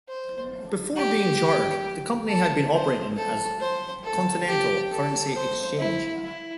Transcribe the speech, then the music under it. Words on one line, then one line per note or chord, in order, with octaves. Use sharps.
Before being chartered, the company had been operating as Continental Currency Exchange.
C5
G4
A4
C5
A4
C5
A4
G4
A4
C5
E4
E4